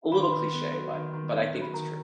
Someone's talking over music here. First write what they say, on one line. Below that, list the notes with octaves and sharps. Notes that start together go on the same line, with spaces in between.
a little cliche, but but I think it's true.
D#3 B5
C6
D#3 B4 B5
B3
F#3
D#3
D#3
B3
F#3
B5
D#3 A#4 A#5